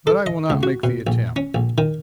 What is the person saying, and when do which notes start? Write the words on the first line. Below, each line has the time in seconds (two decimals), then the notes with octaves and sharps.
But I will not make the attempt.
0.07 A4
0.26 D#5
0.50 C#2
0.63 F#4
0.84 B2
1.07 A#1
1.36 C#4
1.55 A#1
1.78 D#3